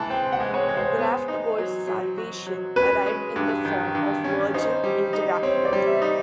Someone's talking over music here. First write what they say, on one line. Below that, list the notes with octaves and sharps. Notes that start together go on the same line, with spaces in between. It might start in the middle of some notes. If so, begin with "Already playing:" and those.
Graftgold's salvation arrived in the form of Virgin Interactive.
Already playing: E3 G#3 A5
C4 G5
F#5
G#3
C#5
G#3
C5
B3
D#4
F#3
F#3
F#4
F#3
C#4 B4
G#3
G2
D#3
G2
C#4
D#4 C5
G3
D#4
C4 C#5
D5
G3
E5
D#4